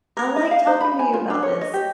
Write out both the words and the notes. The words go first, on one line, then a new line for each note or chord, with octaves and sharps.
I like talking to you about this.
A#4
D#5
F5
C5
B5
G#5
F4
D4
C#5
D#5
G4